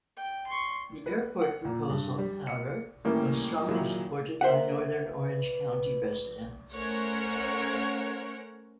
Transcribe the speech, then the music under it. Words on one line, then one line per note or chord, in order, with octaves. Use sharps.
The airport proposal, however, was strongly supported by Northern Orange County residents.
G5
C6 C#6
B4
F#5
A#2
G2
G3
C#7
A2 D#3 E3 G3 A#3 C#4
A#2 D#3 F#3 D#4 E4 G#4
A#3 D4 A#4 C5 E5 F#5
B4
A3 C#4 A#4 C5 C#5 F#5